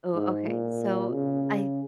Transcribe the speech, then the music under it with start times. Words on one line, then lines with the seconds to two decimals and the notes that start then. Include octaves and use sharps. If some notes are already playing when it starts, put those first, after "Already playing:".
Ooh, okay. So, I
0.14 G#2
0.47 A#2
1.12 C#3